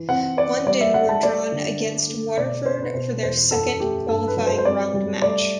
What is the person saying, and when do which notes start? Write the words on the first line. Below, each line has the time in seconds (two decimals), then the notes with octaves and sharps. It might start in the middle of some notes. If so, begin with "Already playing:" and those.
London were drawn against Waterford for their second qualifying round match.
Already playing: E3
0.09 C4 F#5
0.37 C4 D5
0.66 G3 D5
0.81 E5
0.94 G3 F#5
1.09 A5
1.23 A3 D5
1.52 D3
1.80 A3
2.08 A3
2.37 B2 D5
2.65 B2 C5
2.82 B4
2.94 B2 C5
3.22 E2 C5
3.51 F#2 A4
3.80 A3 G4
4.08 G2 A4
4.27 B4
4.37 F#3
4.47 C5
4.58 C5
4.65 C4 D5
4.94 G3
5.22 A3 D5